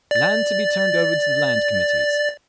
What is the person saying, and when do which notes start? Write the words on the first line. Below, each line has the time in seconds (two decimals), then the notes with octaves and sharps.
Land to be turned over to the Land Committees.
0.11 D5 A6